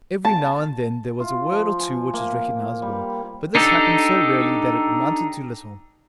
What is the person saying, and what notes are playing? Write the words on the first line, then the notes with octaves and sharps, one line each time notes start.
Every now and then there was a word or two which was recognizable, but this happened so rarely that it amounted to little.
A5
F4
F3
G#5
A#3
G3
D4 D#4 G4 A4